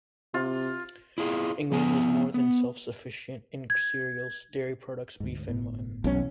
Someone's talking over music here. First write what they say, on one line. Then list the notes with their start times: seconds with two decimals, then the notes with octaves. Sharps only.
England was more than self-sufficient in cereals, dairy products, beef and mutton.
0.34 C3 F4
1.18 E4 F4 G#4
1.72 F3 B3 G#5
2.34 B3
3.70 G#6
5.20 D2 G#2
5.48 G1 A2 B3
6.04 B1 E2 B2 E3 C#4